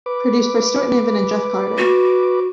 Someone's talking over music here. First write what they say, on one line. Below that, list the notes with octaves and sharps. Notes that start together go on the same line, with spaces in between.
Produced by Stuart Niven and Jef Carter.
B4 D6
F#4